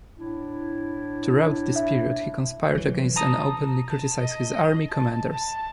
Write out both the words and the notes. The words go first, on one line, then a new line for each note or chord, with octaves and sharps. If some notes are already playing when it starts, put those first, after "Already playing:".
Throughout this period, he conspired against and openly criticized his army commanders.
A2 D4 E4
E5
E3 F#3
A5 A#5 D#6
A5
D#5
A5
A5